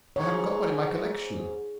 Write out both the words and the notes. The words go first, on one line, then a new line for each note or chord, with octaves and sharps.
I haven't got one in my collection.'
G#2 C#5